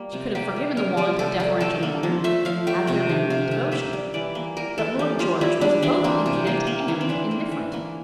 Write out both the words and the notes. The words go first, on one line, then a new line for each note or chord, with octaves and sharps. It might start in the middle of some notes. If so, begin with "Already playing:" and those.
She could have forgiven the want of deferential manner, had there been any devotion;--but Lord George was both impudent and indifferent.
Already playing: G3 A#3
C3
A#3 G4
G3
G3 A#4
G3 D5
C3 A4
G3
G3 A4
A#3
F3
A3 E5
F3 F5
A3 G5
C3 G5
A3
C3 F5
A3
A#3 E5
G3
E3 D5
A#3
G3 A#4
E3 A4
A#3 G4
A#3 F4
G3 E4
G3 D4
E3 D4
A#3 C4
C3
A#3
A#3
E3
C4
E3 D4
A#3
E3
A#3